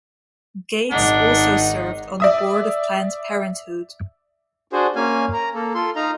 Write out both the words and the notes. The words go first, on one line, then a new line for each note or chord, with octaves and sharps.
Gates also served on the board of Planned Parenthood.
G#1 D#3 D4 D#4 F#5
D5 E5 D#6
D4 F#4 G#4 C5
A#3 C#4 F5 G#5
A#4 A#5
A#3 A4
F4 A4 C6
D#4 F5 A#5